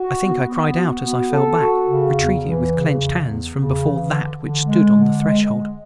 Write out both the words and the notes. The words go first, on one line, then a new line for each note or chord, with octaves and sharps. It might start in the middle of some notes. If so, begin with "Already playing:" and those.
I think I cried out as I fell back--retreated with clenched hands from before THAT which stood on the threshold.
Already playing: F#4
B3
B3
F#4
B3
A4
F#4
C#3
E2
E3
C#3
E2
E2
C#3
E3
D3
D3
G#3
D3
G#3
G#3